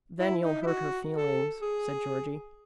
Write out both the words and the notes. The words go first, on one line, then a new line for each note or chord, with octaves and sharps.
"Then you'll hurt her feelings," said Georgie.
E4
D#4
E4
F#4
A4
G#4